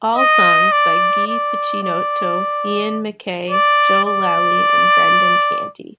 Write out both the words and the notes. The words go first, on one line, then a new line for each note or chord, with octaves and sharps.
All songs by Guy Picciotto, Ian MacKaye, Joe Lally, and Brendan Canty.
D#5
D5
D5
D5
D5
D5